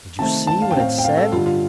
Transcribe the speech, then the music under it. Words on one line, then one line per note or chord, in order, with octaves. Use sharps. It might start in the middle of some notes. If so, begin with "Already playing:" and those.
Did you see what it said?
C3 D#3 A3 C4 A5
A5
F5
G5
A2 A3 C4 F5
G5
F5
A4
G2 D3 G3 F4
F4